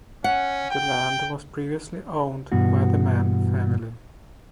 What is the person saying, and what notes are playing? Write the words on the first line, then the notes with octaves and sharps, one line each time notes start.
The land was previously owned by the Mann family.
C#4 F#5
G5
G2 B2 E3 F#4